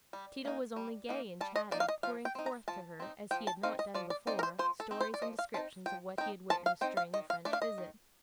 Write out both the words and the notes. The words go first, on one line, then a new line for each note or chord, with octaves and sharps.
Tito was only gay and chatty, pouring forth to her, as he had not done before, stories and descriptions of what he had witnessed during the French visit.
G3
A#3 D#4
G3
A#3 D#4
G3 A5
D#5
A#3 D#4 D5
F5
D#5
F3 F5
G5
C4 D#4
A#5
F3 A5
C4 D#4
F3 G5
A5
C4 D#4 F5
D#5
F3 D5
D5
C4 D#4 D5
A#4
C5
F3 C5
A4
C4 D#4
C5
D5
F3 D#5
F5
C4 D#4 A5
F3 G5
C4 D#4 G5
F3 A5
F5
C4 D#4 G5
F5
D#3 D#5
F5
A3 D4 D5
F5
D#5
D#3